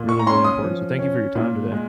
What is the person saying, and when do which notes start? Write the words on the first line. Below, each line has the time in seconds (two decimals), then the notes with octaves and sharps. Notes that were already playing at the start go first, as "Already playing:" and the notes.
really, really important. So thank you for your time today.
Already playing: A#2
0.09 C#6
0.19 A#5
0.26 C#4 C6
0.44 D#6
0.63 F3
0.99 C#4
1.35 A#2
1.72 G#3